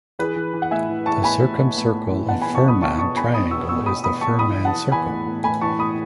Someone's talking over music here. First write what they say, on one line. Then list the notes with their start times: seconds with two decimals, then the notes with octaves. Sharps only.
The circumcircle of Fuhrmann triangle is the Fuhrmann circle.
0.19 E3 G#4 B4
0.36 E3
0.53 E3
0.62 F#5
0.71 A2 E5 G#5
0.89 E3
1.06 E3 A5 C#6
1.23 A2 G#5 B5
1.42 A2
1.59 A2
1.77 A2
1.93 A2
2.12 E3
2.28 B2 F#5 A5
2.42 B2 G#5 B5
2.55 A5 C#6
2.64 B2 B5 D#6
2.81 B2 A5 C#6
2.99 B2 A5 C#6
3.16 B2 G#5 B5
3.34 B2 B5 D#6
3.51 B2 C#6 E6
3.69 B2 C#6 E6
3.86 B2 B5 D#6
4.04 B2 B5 D#6
4.21 B2 A5 C#6
4.39 E3 B5 D#6
4.57 E3
4.65 F#5 A5
4.75 E3
4.92 E3 G#5 B5
5.10 A2
5.26 A2
5.44 A2 G#5 B5
5.61 E3 A5 C#6
5.79 A2 B5 D#6